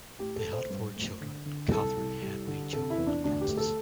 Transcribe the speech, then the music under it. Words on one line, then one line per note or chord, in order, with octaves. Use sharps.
They had four children; Catherine, Henry, John, and Francess.
A2 G4
A4
A2
C5
G2
A3
D3
D3
C2 A4
C2
G3
D3
C3 A4
E4
E2
D4
D2 D4
G4
A3
A4